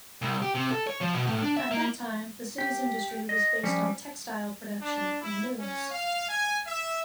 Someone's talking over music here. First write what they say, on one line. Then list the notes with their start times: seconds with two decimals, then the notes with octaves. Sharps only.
At that time the city's industry was based on textile production and mills.
0.22 C2
0.42 G4
0.55 C3
0.71 A4
0.87 C#5
1.01 F3
1.14 B2
1.27 A2
1.42 D4
1.57 E5
1.71 A#3
2.58 G4
3.29 D#5
3.63 F3 G3 C#4
4.81 D4
5.22 E4
5.59 C#4
5.91 F5
6.29 G#5
6.66 E5